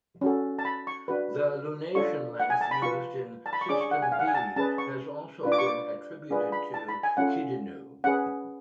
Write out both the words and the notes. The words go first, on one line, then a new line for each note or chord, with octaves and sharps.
The lunation length used in System B has also been attributed to Kidinnu.
C#4 F#4 A4
A5
B5
C#6
D4 F#4 B4
D4 F4 A4 C#5 C#6
F#5
G#5
A5
B5
F4 B4 C#6
A5
B5
C#6
D4 G#4 C#5 D6
C#6
F#5
G#5
F5
F#5
G#5
A5
C#4 G#4 B4 A5
C#6
D4 F4 B4
D6
C#6
D6
D4 F4 G#4 B4
B5
A5
B5
G#5
C#4 F4 A4 F#5
C#4 G#4 B4 F#5